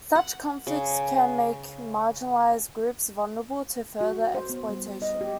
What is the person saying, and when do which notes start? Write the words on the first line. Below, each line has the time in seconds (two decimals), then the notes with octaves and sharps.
Such conflicts can make marginalized groups vulnerable to further exploitation.
0.15 F#5
0.67 C#3
4.01 F#4
4.35 C5
4.50 B3
4.69 G3
5.02 D#5
5.21 G4